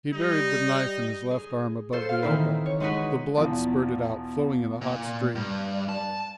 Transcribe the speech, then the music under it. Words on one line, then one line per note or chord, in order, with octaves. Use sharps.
He buried the knife in his left arm above the elbow; the blood spurted out, flowing in a hot stream.
G3 D#4
G#4
F4 A4 C5
F5 F6
D#3 E3 C4 D#4 E4
C#5
G#3 D#4 F#4 G#4 B4
E2 B2 E3 F3
A#2
G2
A5